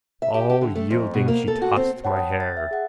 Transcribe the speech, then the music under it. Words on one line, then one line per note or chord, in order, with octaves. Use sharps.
All yielding she tossed my hair.
E5
G4
G4
D3
A3
F2
B2
A#3
A4
F#4
C4
C#5 F#5 G5 A5 B5
G5 D#6
A6
E5
G#4 F#5